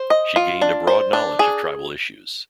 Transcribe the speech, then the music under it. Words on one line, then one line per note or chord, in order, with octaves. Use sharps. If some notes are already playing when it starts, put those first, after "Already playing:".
She gained a broad knowledge of tribal issues.
Already playing: C5
D#5
F4
D4
C5
D4
G#4